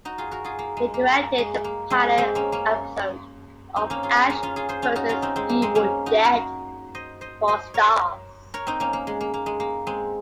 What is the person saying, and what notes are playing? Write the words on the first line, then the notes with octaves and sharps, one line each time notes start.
He directed the pilot episode of "Ash versus Evil Dead" for Starz.
D#4 F#4
F4 G#4
F#4 A#4
F4 G#4
A#3
G#3
A#3
A#3
G#3
A#3
G#3 C4
G#3 C4
A#3 C#4
A#3 C#4
C4 D#4
A#3 C#4
F4 G#4
G#4 C5
A#3 C#4
C#4 F4
F4 G#4
G#4 C5
C#4 F4
D#4 F#4
C#4 F4
C4 D#4
G#3 C4
A#3
G#3 C4
A#3 C#4
D#4 F#4
F#4 A#4
C5 D#5
C5 D#5
C5 D#5
A#4 C#5
A#4 C#5
C4 D#4
A#3 C#4
A#3
G#3
A#3
A#3
G#3
A#3
G#3 C4